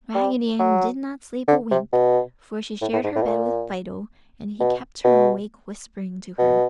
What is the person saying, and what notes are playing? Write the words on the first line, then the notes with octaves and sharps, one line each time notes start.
Raggedy Ann did not sleep a wink, for she shared her bed with Fido and he kept her awake whispering to her.
G3
F#3
D3
C3
B2
A2
A2
G#2
A2
B2
A#2
B2
B2
B2